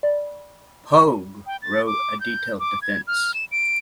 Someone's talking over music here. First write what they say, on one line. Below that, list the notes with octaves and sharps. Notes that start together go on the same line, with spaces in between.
Pogge wrote a detailed defense.
D5
G5
A6
D6
G6
D6
G#6
F6
E7
D7